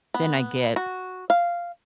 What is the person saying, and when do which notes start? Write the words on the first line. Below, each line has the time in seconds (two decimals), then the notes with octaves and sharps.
then I get
0.14 B3
0.76 F#4
1.30 F5